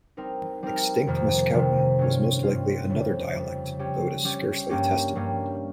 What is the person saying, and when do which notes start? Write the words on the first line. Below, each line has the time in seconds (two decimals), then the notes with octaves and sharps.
Extinct Mascouten was most likely another dialect, though it is scarcely attested.
0.17 G3 C4 D#4 A#4
0.63 G3 C4 D#4 A#4
1.07 F2 C3 D#3 A#3
1.53 F2 C3 D#3 A#3
1.99 G2 G3 C#4 F4
2.43 G2 G3 C#4 F4
2.89 F2 C#3 G3
3.34 F2 C#3 G3
3.79 G3 C#4 G4
4.24 G3 C#4 G4
4.70 G2 G3 A#3 C#4 G4
5.15 G2 G3 A#3 C#4 G4